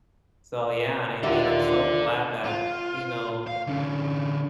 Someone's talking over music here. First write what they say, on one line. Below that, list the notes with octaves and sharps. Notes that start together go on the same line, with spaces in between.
so yeah, I mean, I'm so glad that, you know,
D#2 D3 F4 E5
F4
F5
D3 C#4